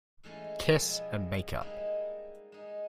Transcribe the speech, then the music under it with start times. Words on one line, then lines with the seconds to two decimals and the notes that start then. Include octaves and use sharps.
Kiss and make up.
0.23 E3 G#3 A3 C#4 E4
0.68 B2 F3 G3 G#3 B3 E4
1.61 G3 G#3 A#3 D#4 E4
2.52 G#3 D#4